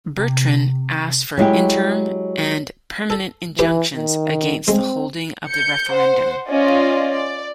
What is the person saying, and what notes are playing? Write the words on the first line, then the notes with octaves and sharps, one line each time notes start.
Bertrand asked for interim and permanent injunctions against the holding of the referendum.
C3
F#3 G#3 E4 G4
A4
E3 G4 B4
D#3
G#3 C4
G6 C#7
C5 F#5
C#4 F4 D5 D#5
D5